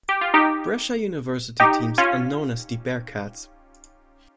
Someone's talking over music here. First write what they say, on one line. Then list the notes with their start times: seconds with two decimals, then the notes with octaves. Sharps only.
Brescia University teams are known as the Bearcats.
0.09 G4
0.21 F4
0.34 D#4 G4
1.60 D#4 G4
1.98 C#4 F4